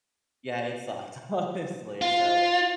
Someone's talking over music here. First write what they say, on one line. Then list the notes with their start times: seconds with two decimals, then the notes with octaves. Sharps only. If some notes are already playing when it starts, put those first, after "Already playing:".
yeah. It sucked, honestly. So
2.01 F4